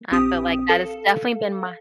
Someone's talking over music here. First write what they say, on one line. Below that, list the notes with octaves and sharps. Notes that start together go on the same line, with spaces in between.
I feel like that has definitely been my
A#1 C4 G4 D#6
A4 F5